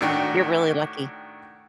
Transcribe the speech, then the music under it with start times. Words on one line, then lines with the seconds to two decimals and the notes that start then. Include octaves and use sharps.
You're really lucky.
0.01 A2 D#3 D4 F#4 G5